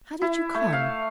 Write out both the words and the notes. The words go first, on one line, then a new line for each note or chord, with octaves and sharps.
How did you come?
E4
A3
F5